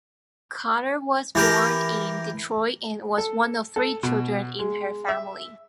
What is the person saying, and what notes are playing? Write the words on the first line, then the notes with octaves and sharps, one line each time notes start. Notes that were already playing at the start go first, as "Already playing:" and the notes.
Carter was born in Detroit and was one of three children in her family.
E3 G4 A#4
A4
A4
B2
G#3
E5